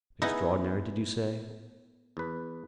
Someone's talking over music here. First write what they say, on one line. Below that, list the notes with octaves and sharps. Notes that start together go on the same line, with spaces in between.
"Extraordinary, did you say?"
B3 D#4 E4 G#4
E2 B4